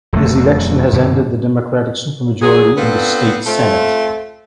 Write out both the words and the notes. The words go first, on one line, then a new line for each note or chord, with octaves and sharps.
His election has ended the Democratic supermajority in the State Senate.
D#1 F2 F#3 A3
F#2 B2 D3
F#3 G#4
B3 C4 D4 F4 A4 B4
A3 C4 F4